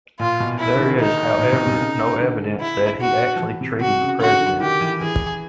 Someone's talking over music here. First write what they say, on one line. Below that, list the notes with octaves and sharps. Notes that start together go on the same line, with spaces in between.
There is, however, no evidence that he actually treated the President.
A#2 F4
B2
E4
D3
D#3
D#4
A#2
B2
C3
C#3
D3
E4
F#4
F3
E3
C3
C3 F#4
C#3
D3 F#4
D3
D#3 G4
E3
E3 G#4